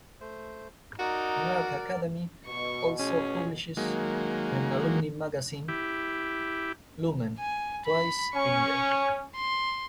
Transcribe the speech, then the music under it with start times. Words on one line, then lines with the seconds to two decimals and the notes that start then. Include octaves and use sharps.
Newark Academy also publishes an alumni magazine, "Lumen", twice a year.
0.20 A3 C5
0.99 D#4 F#4 A#4 D5
2.46 B2 C#6
2.99 C#4 G#4
3.77 D#3 F#3 G#3 A#3
5.68 E4 G4
7.38 G#5
7.85 B5
8.34 C#4 C#6
9.35 C6